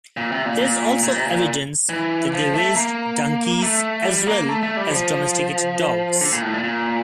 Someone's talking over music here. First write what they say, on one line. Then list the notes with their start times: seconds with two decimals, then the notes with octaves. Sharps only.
There is also evidence that they raised donkeys, as well as domesticated dogs.
0.17 A#2
0.32 C3
0.46 A#2
0.61 A#2
1.03 A#2
1.15 C3
1.25 A#2
1.89 E3
2.32 F3
2.54 A3
2.76 A#3
3.62 A3
4.05 G3
4.27 A#3
4.48 A3
4.63 A3
4.77 G3
4.91 F3
6.21 D3
6.32 A#2
6.42 A2
6.54 A#2
6.64 A#2